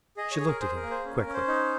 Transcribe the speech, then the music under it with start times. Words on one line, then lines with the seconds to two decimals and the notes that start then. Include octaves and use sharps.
She looked at him quickly.
0.17 G#4 D#5
0.32 C#5
0.39 G#4
0.47 A#4
0.61 G#4 C5
0.76 A#4
0.83 A#3
0.90 C5
1.05 C#4
1.19 A#4
1.26 C#4
1.33 C5
1.48 D#4